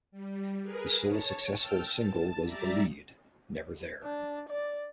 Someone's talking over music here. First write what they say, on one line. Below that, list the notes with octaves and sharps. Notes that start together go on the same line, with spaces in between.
The sole successful single was the lead "Never There".
G3
G#4 A#4 B4
C#5 A5
G5 A5 E6 F6
A5
G3 D5 E5 A#5 A6
D4
D5